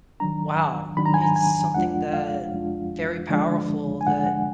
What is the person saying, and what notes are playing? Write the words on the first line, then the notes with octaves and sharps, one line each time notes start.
wow. It's something that very powerful that
D#3 F#3 D4 A#5
D#3 F#3 D4 B5
A#5
G#5
A#5
G#5
F2 F3 G#3 D4 F4 F#5
F5
F2 F3 G#3 D4 F4
D3 F3 G#3 D4
G#5
D3 F3 G#3 D4 F#5
F#5